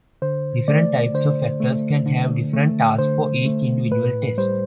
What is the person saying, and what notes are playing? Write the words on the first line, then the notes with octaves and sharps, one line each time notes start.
Different types of actors can have different tasks for each individual test.
D3 C5
A3 D5
D3 C5
A3
D3
A3
D3 C5
A3
A2 B4
G3 C5